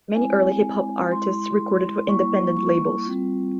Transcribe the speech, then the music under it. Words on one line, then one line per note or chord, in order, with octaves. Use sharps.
Many early hip hop artists recorded for independent labels.
G#3 C4 E4 G#5
G#3 E4 C6
G3 A#3 E4 C#6
C#6
G3 C4 F4